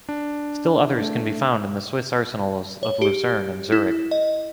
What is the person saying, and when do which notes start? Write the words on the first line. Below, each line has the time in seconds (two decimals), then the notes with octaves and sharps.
Still others can be found in the Swiss arsenals of Lucerne and Zurich.
0.09 D4
0.96 A3
2.83 C#5
3.02 G4
3.72 E4
4.11 D#5